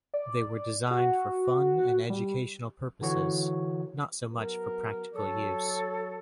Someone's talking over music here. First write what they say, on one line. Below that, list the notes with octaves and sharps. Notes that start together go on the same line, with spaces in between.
They were designed for fun and educational purposes, not so much for practical use.
D5
F#4
G3
D3 E3 F#4 C#5
F#3 B3 A#4
F#3 A4 C#5